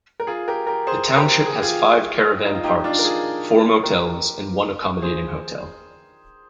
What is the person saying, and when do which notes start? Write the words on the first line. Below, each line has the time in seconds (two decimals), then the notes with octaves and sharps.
The township has five caravan parks, four motels and one accommodating hotel.
0.20 A#4
0.27 F4 G#4
0.48 G4 A#4
0.67 G4 A#4
0.87 G#4 C5
1.10 C5
1.16 G4 A#4
1.46 G#4
1.55 G4
1.62 F4 G#4
2.46 D#4
2.54 F4
2.64 D#4 G4
2.84 D4 F4
2.99 A#4
3.04 F4 G#4
3.83 G4 A#4
5.02 G#4 C5